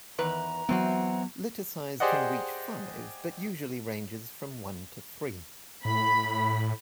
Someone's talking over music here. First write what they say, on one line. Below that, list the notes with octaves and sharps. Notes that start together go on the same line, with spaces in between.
Litter size can reach five, but usually ranges from one to three.
E2 D#3 B4 A#5
E3 F#3 B3 C4 F#4
G4 G#4 C5 D5 D#5 F#5
A2 B5